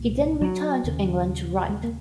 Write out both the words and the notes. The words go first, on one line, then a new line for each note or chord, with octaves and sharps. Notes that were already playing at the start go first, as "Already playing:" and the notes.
He then returned to England to write.
Already playing: C2 A#2
F#3
D#2 C#3
G#3
A#3